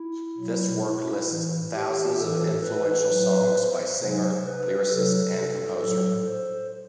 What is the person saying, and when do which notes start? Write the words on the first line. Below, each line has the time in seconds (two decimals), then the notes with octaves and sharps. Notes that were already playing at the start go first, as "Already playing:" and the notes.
This work lists thousands of influential songs by singer, lyricist and composer.
Already playing: E4
0.37 B2 F#3
0.83 E4
1.28 A2 E3
1.73 G4
2.18 A2 E3 A4
2.63 B4
3.09 A2 F#3
3.53 C5
3.99 C3 F#3
4.45 B4
4.89 C3 F#3 A4
5.80 A2 F#3 A4
6.26 C5